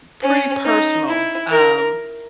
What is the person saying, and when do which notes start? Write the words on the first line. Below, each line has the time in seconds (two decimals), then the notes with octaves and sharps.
pretty personal, um
0.22 C#4
0.64 D#4
1.07 E4
1.50 A#4